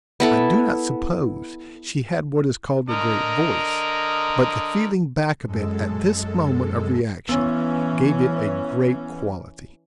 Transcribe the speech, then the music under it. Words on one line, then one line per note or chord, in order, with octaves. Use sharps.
I do not suppose she had what is called a great voice, but the feeling back of it at this moment of reaction gave it a great quality.
B3 E4 A4
D3 A#4 D#5
F#2 G#3 A4
E3 B3 C#4